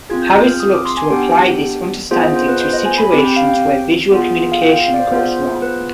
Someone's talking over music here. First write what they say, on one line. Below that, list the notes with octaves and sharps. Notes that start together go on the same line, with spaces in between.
Harris looks to apply this understanding to situations where visual communication goes wrong.
C4 F4 G#4 G#6
G6
G6
F6
D#6
D6
C6
G#5
B3 D4 G4 G5
B3 F4 G#4 C5
D#5
C5
B4
C5
D#5
G#5
B5
C4 G4 B5
G5
F5
G5
B3 F4 G#4
F5
G5
F5
F5
D5
C5
B3 F4 G#4 C5
C5
B4